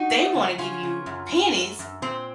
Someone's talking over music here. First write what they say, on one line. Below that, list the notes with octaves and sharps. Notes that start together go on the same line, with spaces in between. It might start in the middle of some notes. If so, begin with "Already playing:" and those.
They wanna give you pennies
Already playing: D#4 F#4
A3
C#3
C#3 C#4 F4
C#3
F#2
F#2
F#2
F#2
A#2 C4